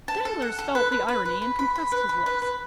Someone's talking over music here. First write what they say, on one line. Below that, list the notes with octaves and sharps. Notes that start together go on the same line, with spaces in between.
Danglars felt the irony and compressed his lips.
A5
A4
F#5
A4
B4
B4
B4
B4
B4
B5
B5
B4
B5
B4
B4